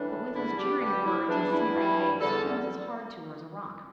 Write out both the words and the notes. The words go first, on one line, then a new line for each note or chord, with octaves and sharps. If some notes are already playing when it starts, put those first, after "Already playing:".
But with his jeering words, and sneering face, he was as hard to her as a rock.
Already playing: A2 E3 G3 D4
E2 D3 G3 E4
G4
G2 D3 G3 G4
E4
E2 E3 G3 D4
E4
G2 E3 G3
E2 D3 G3 A4